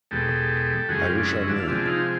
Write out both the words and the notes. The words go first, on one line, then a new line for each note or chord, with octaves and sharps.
I wish I knew.
E2 B2 G#3 G4 A4
F#2 C#3 E3 G#3 F#4 G#4
F4 G4
D4
E4 F#4
D4 E4
F4
C3 F3 G#3 D4 E4
D#4 F4